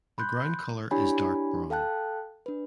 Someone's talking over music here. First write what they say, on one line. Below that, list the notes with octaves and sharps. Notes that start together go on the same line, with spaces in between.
The ground colour is dark brown.
B5 C6 F#6 G6
D4 E4 G4 C#5 G#5 B5
A4 F5 G5 A5 F#6
D4 B4